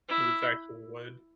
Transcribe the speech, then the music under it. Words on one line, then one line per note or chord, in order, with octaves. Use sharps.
'cause it's actually wood.
E4